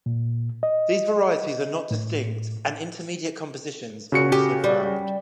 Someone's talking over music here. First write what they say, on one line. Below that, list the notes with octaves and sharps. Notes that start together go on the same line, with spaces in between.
These varieties are not distinct and intermediate compositions are also found.
A#2
D#5
A2
C#3 F#4 C#7
G4
G3